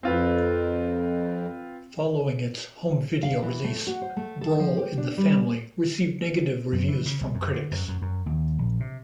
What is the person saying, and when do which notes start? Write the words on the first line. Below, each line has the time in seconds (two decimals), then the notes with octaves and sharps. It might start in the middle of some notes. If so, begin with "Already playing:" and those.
Following its home video release, "Brawl in the Family" received negative reviews from critics.
0.03 F2 C4 F4 B4
3.23 F5
3.43 E3
3.64 A3
3.87 F#4
4.02 C5
4.17 A3
4.41 A4
4.59 F3
4.78 G4
4.98 D4
5.17 G3
6.73 F#2
6.88 E3
7.06 C#3
7.21 C2
7.35 F#2
7.52 D3
7.72 F#2
7.88 F#2
8.02 F#2
8.26 D#2
8.58 A#1
8.80 C3